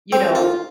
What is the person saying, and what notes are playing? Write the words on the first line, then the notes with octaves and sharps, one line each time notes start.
you know,
C4
F4